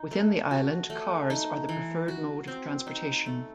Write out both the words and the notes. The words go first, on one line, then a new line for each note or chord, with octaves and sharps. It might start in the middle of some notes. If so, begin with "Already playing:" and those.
Within the island, cars are the preferred mode of transportation.
Already playing: D#4
A3
F#4
A3
D#4
E3
F#4
C4
D#4
A3